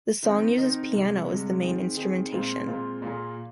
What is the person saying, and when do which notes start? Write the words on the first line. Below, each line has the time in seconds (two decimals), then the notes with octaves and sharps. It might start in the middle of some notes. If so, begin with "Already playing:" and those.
The song uses piano as the main instrumentation.
0.23 D#3 C4 D#4 A#4
0.58 D#3 C4 D#4 A#4
0.92 C2 C3 G#3
1.27 C2 C3 G#3
1.62 D#3 C4 G#4
1.97 D#3 C4 G#4
2.32 A#2 G#3 C4 F4
2.67 A#2 G#3 C4 F4
3.02 A#2 A#3 F4 G#4